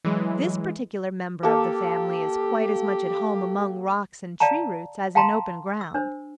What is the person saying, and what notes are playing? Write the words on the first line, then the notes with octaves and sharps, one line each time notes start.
This particular member of the family is quite as much at home among rocks and tree roots as in open ground.
E3 F#3 G#3
A#3 G4 A4
D5 F5 G5 A5 A#5
F5 G5 A5 A#5 C6
E6
D4 C5